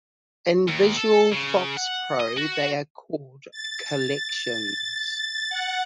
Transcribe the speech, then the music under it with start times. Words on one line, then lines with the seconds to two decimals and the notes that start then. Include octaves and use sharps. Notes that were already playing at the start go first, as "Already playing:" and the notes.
In Visual FoxPro, they are called "Collections".
0.68 D#2
0.96 A4
1.32 C#3
1.77 F#5
2.20 D#5
2.37 F#4
3.51 A6
5.50 F#5